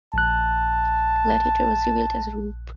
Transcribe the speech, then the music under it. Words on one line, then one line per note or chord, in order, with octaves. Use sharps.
The Gladiator was revealed as Roop.
A#1 A5 F#6